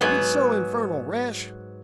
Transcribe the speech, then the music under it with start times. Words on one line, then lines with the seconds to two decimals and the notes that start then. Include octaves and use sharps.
He's so infernal rash.
0.01 G#2 F#3 B3